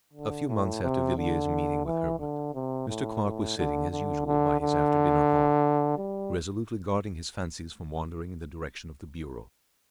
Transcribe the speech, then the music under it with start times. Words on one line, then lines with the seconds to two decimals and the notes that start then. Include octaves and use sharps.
A few months after Villiers' meeting with Herbert, Mr. Clarke was sitting, as usual, by his after-dinner hearth, resolutely guarding his fancies from wandering in the direction of the bureau.
0.13 D3
0.48 A2
0.83 C3
1.18 D3
1.86 E3
2.19 D3
2.54 C3
2.89 A2
3.23 A2
3.58 D3
3.91 D3
4.26 D3
4.61 D3
5.98 G3